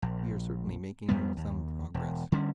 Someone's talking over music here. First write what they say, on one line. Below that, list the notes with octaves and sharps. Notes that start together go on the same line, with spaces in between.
We are certainly making some progress.
A#1
F2 G3 B3
D#2
E1
D3 G3 C#4